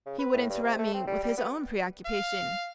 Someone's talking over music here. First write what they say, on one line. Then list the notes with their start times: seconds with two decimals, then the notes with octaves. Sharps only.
He would interrupt me with his own preoccupation.
0.06 C#3
0.19 B4
0.34 A2
0.50 G2
0.63 C3
0.79 A3
0.94 C4
1.07 G3
1.23 G3
1.37 B3
2.06 F5